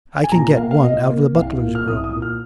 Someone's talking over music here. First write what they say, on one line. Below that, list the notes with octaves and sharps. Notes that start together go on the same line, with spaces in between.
I can get one out of the butler's room.
G#5
A#2 A#5
A#5
A#3 F5
F5
A#2 D#5
A#3
C2 F5
A#2 A#3
F6
C2 D#6
D#6
A#2 A#3
F6